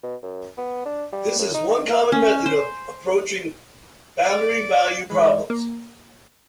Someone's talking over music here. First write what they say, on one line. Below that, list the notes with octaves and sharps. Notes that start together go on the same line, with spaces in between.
This is one common method of approaching boundary value problems.
B2
F#2
B3
D4
G3
F#2
D#4
D#3
C#4
C5
D5
G#2 E3 G#3 B5
A#3